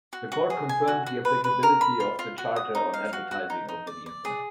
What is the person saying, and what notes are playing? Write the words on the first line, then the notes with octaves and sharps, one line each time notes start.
The court confirmed the applicability of the Charter on advertising over the Internet.
F#4
F#4
G#4
G#5
F#4
F#4
B4
B4
A#4
B5
F4
F4
F#4
D#6
D#4
F5
F#4
F#4
D#4
D#4
D5
D5
G#4